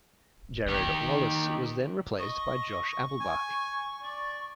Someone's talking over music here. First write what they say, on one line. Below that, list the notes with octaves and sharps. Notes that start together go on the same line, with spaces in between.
Jared Wallace was then replaced by Josh Applebach.
D#3 G4
D#5 C#6
G#5
D5